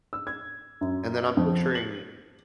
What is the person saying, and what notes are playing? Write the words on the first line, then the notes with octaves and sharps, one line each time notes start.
And then I'm picturing
E6
G#6
F#2
F2
F#7